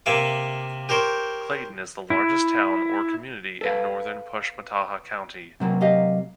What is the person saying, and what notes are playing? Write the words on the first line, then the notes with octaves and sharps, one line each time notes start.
Clayton is the largest town or community in northern Pushmataha County.
C3 A#3 E5 F5 D6
G4 A#4 C5 C#5
E4
A4 B4 F5
C3 F#3 A#3
G4 D#5 F5